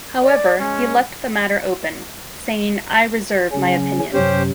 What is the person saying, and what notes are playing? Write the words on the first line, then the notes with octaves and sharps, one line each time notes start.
However, he left the matter open, saying I reserve my opinion.
D5
G#3 C#4
C#3 F#3 C#4
F#2 C3 F#3 C#4 G4 C5